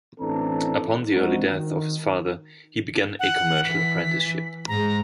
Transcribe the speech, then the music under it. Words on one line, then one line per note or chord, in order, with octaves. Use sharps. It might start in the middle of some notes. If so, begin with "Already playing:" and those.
Upon the early death of his father, he began a commercial apprenticeship.
A1 E3 C4 D4 A4 A#5
G#3 C4 D4 D#4 F#4
D#3
F#5
E3 B6
G#2 G#3 A#5